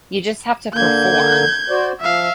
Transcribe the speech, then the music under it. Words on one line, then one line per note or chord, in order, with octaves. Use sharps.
you just have to perform.
D3 A#3 G6 G#6
F#4 C5 D5
F3 E5 F5